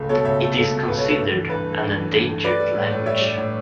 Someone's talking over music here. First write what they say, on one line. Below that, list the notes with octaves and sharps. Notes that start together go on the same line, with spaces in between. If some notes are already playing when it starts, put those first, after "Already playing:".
It is considered an endangered language.
Already playing: C#2 A3
B2 A4 C#5
C#2 C#5 E5
A3 A4 C#5
C#2 A4
B2
C#2 B4
A4 C#5
A3
A4 C#5
G2
E3
G2 B4
A3
G2
E3
G2
A3
G3 B4 D5
G3
A2
A2
G3 C#5 E5
G3
A2